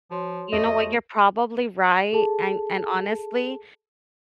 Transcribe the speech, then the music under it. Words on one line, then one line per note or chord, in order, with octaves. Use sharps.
You know what, you're probably right, and and, honestly,
F3 F#4 C#5 C6
F2 A3 D#5
G#4 A4 A5